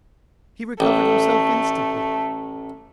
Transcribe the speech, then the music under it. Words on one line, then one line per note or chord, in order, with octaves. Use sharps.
He recovered himself instantly.
A1 A3